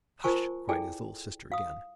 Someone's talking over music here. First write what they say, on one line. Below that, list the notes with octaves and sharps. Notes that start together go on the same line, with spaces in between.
"Hush!" cried his little sister again.
F4 A#4 C5 G#5 A5 C#6
E4 G#4 A4 D5 G5 G#5
F5 D#6